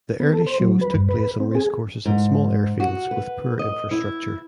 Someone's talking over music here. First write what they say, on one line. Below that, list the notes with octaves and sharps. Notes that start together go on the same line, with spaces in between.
The early shows took place on racecourses and small airfields with poor infrastructure.
B3
A4
C5
F#3
B4
G2
B4
C4
G#4
G#2
F#4
B4
D#5
E4